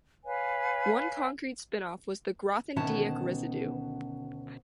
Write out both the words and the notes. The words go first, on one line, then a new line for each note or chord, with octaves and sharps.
One concrete spin-off was the Grothendieck residue.
B4 C#5 F5 G#5
D2 B2 D#3 C#4 F#5 A5